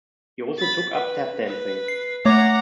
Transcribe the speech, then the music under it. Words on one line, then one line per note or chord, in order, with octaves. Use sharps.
He also took up tap dancing.
B5 A6
B4
B4
C7
A3 C#5 F#5 A#5 D6